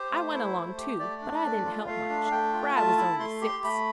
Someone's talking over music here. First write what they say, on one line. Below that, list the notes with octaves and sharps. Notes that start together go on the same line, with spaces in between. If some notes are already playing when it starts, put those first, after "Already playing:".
I went along too, but I didn't help much--for I was only six.
Already playing: G4 C5
A3
E4
A3
G4
A3 D5
D4
A3
F4
A3 F5
D4
F5
A3 G5
F4
A3 A5
E4
A3 C6
G4
A3 B5